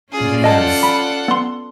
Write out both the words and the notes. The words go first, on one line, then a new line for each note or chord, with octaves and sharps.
It is.
C#4 F4 G#4 D5
A4 D#5 F#5 A5
B5
B3 C6